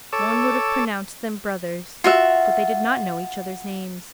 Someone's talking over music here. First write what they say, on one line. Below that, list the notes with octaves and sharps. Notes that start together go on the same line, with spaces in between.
One would have pronounced them brothers, but they did not know each other's names.
A4 C#5 D6 E6
F4 F#4 E5